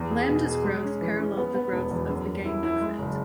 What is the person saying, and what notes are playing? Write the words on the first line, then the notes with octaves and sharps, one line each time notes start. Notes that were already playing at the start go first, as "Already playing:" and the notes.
Lambda's growth paralleled the growth of the gay movement.
Already playing: E2
G#4
B2
G#4
G#3
C#4
E3
C#4
B3
B3
E1
E2
F#2
F#2
E4
E4
G#3
F#1